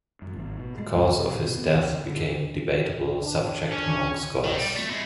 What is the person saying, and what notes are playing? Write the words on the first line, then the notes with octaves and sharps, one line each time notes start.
The cause of his death became debatable subject among scholars.
F#2
G#1
B2
G#3
C#2
C3
B2
B3
C#2
D3
D3
D4
C#4
D#3
G3
A3
G#3 E4